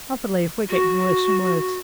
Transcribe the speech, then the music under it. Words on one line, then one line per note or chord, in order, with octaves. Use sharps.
I believe we're getting worse and worse.
F#4